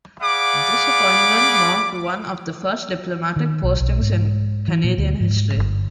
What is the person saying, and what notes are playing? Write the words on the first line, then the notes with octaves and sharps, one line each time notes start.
This appointment marked one of the first diplomatic postings in Canadian history.
G#4 D5 F5 F#5 B5 D6
D#3
B1
B1
G#2
E3
A#2
D2
G#2
G1